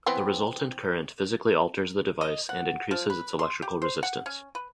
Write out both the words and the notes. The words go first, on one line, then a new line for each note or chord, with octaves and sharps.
The resultant current physically alters the device and increases its electrical resistance.
E3 B3 C4
D#5
F#5
F3
B4
C6
G4
C5
F#5
C#4
B4